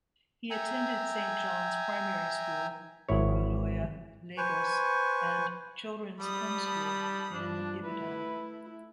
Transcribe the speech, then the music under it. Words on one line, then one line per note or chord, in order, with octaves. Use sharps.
He attended Saint John's Primary School, Aroloya, Lagos and Children's Home School in Ibadan.
E5 G5 G#5 A#5
G#1 E4 C#5
B4 C5 G#5 C#6
G3 A5 B5 D#6
G2 F3 D4
A3 E4 B4